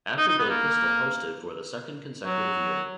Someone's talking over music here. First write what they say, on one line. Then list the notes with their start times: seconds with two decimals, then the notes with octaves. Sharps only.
Actor Billy Crystal hosted for the second consecutive year.
0.18 D#4
0.28 D#4
0.38 B3
0.50 A#3
2.25 F#3